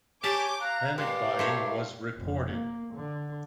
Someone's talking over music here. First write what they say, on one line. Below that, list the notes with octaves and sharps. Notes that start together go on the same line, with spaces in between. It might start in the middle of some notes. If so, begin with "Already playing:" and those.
Panic buying was reported.
G4 C#5 G#5 A5 D6 G6
F5 A#5 F#6
G#3 G4 A#4 B4 D5 F5
A3 C5 C#5
F1
A#3
D3